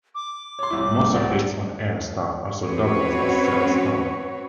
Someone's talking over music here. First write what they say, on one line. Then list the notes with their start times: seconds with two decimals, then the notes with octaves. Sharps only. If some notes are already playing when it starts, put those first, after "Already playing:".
Most of its on air staff also doubles as sales staff.
0.15 D6
0.59 C#5 C6
0.70 C2 E4
1.13 C2 C4 D5 F#5
2.63 C4 C#4 F#4 B4 C#5